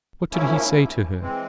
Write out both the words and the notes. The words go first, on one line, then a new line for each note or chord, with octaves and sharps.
What did he say to her?
G#2 F3 A#3 C#4 E4
E3 G#3 C4